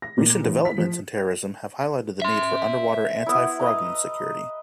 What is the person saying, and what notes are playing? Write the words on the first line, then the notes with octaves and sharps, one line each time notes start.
Recent developments in terrorism have highlighted the need for underwater anti-frogman security.
A#6
A#2
A1
B6
F3
E5 C6
B3 E4
B4 D#5 A#5